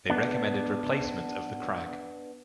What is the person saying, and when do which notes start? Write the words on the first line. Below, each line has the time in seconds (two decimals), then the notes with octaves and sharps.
They recommended replacement of the Krag.
0.10 B3 D4